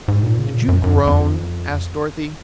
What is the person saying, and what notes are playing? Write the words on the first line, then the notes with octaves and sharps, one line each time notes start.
"Did you groan?" asked Dorothy.
G#2
A#2
C#3
A#2
F#2
F#2
F2
F2